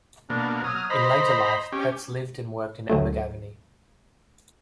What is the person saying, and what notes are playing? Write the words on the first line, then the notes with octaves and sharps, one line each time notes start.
In later life Petts lived and worked in Abergavenny.
B2 A#3 D4
F#3 D#6 F6
C5 D#5 A#5 B5
C#4 G4
D2 F#3 A3